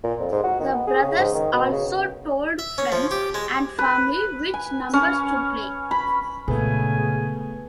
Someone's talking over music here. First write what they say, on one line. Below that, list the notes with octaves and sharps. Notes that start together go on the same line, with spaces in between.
The brothers also told friends and family which numbers to play.
A#2
F2
G#2
F#4
D#3
B3
G#4
C#3
G#2
D#3
B2
C#3
E5
C#4
F3
G4
G#3
B4
G#5
C#4
B5
A#2 C#3 G#3 A3 B3 G#4 G#5